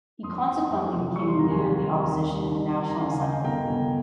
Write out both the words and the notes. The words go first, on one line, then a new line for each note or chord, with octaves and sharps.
He consequently became the Leader of the Opposition in the National Assembly.
F2 C6 D#6
F2
F2
F1
G3 C#6
C6
D#2 A#5
G#5 C6
D#2
D#3
D#2
G3
D#2
D#2
A#5
C#3 F5 G#5
F5 G#5
C#3 D#5 G5
F5 G#5
G1 G5 A#5
G1